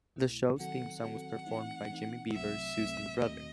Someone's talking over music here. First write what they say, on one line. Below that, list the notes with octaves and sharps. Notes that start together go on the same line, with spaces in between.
The show's theme song was performed by Jimmy Beavers, Susan's brother.
C2 B2 A3 E4
D#3 F#3 C4 F#4 A4 F#5
D#3 F#3 C4 F#4 A4 F#5
E3 A3 C4 D#4
E3 A3 C4 D#4
C2 C3 F#3 A3 C4 E5
C2 C3 F#3 A3 C4
D#2 D#3 A3 C4 F#4 D#5